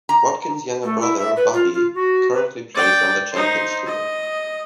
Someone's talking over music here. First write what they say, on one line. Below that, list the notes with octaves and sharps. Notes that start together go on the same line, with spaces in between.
Wadkins' younger brother, Bobby, currently plays on the Champions Tour.
A#5
A3
E4
E5
B4
F4
F4
F#4
B4
D5 G5
D#4 C5
D#5